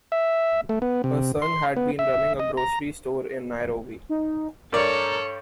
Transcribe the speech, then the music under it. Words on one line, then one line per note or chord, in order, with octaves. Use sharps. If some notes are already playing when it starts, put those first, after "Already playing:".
Her son had been running a grocery store in Nairobi.
E5
A3
B3
C3
C6
B3
E5
D#5
A#5
D#4
G2 A4 A#4 C#5 D5